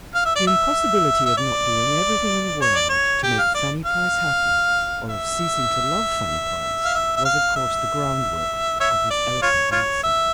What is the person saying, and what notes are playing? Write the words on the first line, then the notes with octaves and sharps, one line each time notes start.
The impossibility of not doing everything in the world to make Fanny Price happy, or of ceasing to love Fanny Price, was of course the groundwork of his eloquent answer.
F5
E5
D5
E5
E5
D5
C#5
D5
C#5
G4
F5
D5
F5
E5
F5
E5
E5
F5
E5
C#5 E5
D5
F4 C#5
F4 C#5
E5